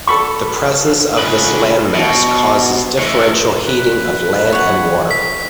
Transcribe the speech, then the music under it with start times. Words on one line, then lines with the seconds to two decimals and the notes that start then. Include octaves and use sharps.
The presence of this landmass causes differential heating of land and water.
0.07 A4 B5 C#6
1.19 C#2 B4
1.95 B2
2.99 A2 E3
3.67 B4
4.52 C#5 F#5
5.11 B6